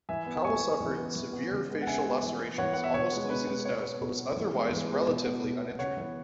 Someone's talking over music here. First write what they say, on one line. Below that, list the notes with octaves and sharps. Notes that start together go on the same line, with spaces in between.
Powell suffered severe facial lacerations, almost losing his nose, but was otherwise relatively uninjured.
E3 E5 G#5
B3
E3 G#5 C#6
B3
E3
B3
E3
B3
C#3
G#3 B3
F#5
C#3 E5 G#5
G#3 B3
E3
B3
E3 C#5 F#5
B3 F#5
E5
B2 C#5
G#3 B3
B2 B4
G#3 B3
B2 C#5
B3
B2
B3
E3
G#3 B3
E3
G#3 B3
B2
B3
B2
B3
C#3 C#5 F#5
E3 B3